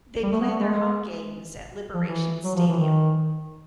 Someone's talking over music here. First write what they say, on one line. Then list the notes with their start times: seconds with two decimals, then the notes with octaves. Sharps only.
They play their home games at Liberation Stadium.
0.23 G3
0.32 A3
0.41 B3
0.50 A3
0.60 G#3
1.94 F3
2.06 E3
2.44 F#3
2.55 F3
2.68 E3
2.79 D#3